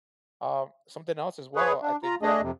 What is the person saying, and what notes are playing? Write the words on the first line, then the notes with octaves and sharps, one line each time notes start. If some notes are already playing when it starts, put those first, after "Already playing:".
Um, something else as well, I think that
G#4 B4 C#5
D4
F4 A#5
A3 D4 G#4 D#5
F2 C3